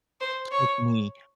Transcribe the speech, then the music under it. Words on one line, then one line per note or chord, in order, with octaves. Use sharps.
took me
C5
C#5